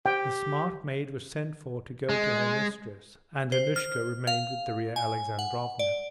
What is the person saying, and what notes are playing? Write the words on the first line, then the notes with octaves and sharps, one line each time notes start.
The smart maid was sent for to go to her mistress, and Annushka remained with Darya Alexandrovna.
G4 G5
G#3
C5
F6
F5
G#5
F#5
D5